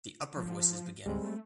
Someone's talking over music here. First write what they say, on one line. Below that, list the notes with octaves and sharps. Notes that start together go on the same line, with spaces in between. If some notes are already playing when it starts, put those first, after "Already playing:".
The upper voices begin.
F3
D2 G3 G#3 C4
A3